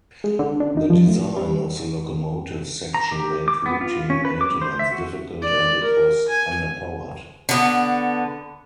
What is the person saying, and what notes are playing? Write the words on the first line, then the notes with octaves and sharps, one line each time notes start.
The design of the locomotive section made routine maintenance difficult and it was underpowered.
G#3
D3
D4
D#4
F3
A2
G3
A#5
G4
D6
B3
F4
C#4
B4
D6
C5
E5
F#4
D5
A#4
G#5
D3 B3